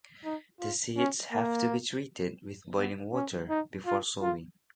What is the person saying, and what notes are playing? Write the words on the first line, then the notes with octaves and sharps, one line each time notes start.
The seeds have to be treated with boiling water before sowing.
D#4
F4
C#4
A#3
B3
C#4
D#4
F4
F4